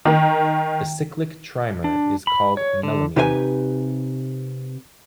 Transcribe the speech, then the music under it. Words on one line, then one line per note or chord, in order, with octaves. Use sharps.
The cyclic trimer is called melamine.
D#3 A#4
D4
B5
C#5
D3
C3 D#4 G4 B4 C5 G#5